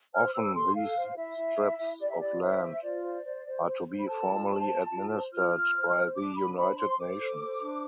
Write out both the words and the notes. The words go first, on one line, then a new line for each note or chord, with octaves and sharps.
Often these strips of land are to be formally administered by the United Nations.
C5 F6
C5 E6
A4 C6
A4 F5
C5
E4 E5
E4
E4
E4
G4 D5
E5
E4 D5
C5 E5
C5
F4 D5
C5
C5
C5
C5
C5
B5
A4 A5
F4
C5
F4
F4
C5
F4 F6
F4
C5
C5
D4 D6
D4 B5
C5 B5
C5 C6
C5 D6
A4
C5
D4